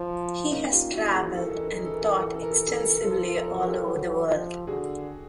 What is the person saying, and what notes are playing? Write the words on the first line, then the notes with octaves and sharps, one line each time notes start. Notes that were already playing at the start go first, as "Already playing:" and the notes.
He has traveled and taught extensively all over the world.
Already playing: F3
A#3 C#4 D#4
F4 G4
A#3 E4 F#4
F#4 G#4
E3 A4
A#4
A4
A#4
A4
A#4
A4
A#4
A4
A#4
A4
A#4
A4
A#4
A4
A#4
A4
A#4
A4
A#4
F3 A4
A#4
A4
A#4
A4
A#4
A4
A#4
G4 A4
F#3
F3
D3 F#4 G#4